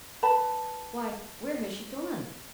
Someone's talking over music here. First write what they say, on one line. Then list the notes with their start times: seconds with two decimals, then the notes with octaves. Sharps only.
"Why, where has she gone?"
0.23 B4 A5 B5